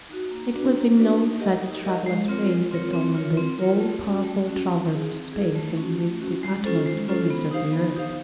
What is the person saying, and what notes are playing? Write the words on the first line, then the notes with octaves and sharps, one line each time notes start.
It was in no such troublous ways that Solomon the all-powerful traversed space and reached the uttermost corners of the earth.
D#4 F#4
A#3
D4 F#4 B4 D5
A#3
D4 F#4 B4 D5
D#4
G4 A#4 D#5 F#5
D#4
G4 A#4 D#5 F#5
G#3
C4 F4 A#4 C#5
G#3
C4 F4 A#4 C#5
C4
F4 A#4 C#5
C4
F4 A#4 C#5
A3
C#4 F#4
A3
C#4 F#4
C4
E4 G#4
C4
E4 G#4
A3
C#4
F#4
A3
C#4 F#4
G#3
C#4 F4 A4 C5
G#3
C#4 F4 A4 C5
B3
D#4 G4 C5 F5
B3
D#4 G4 C5 F5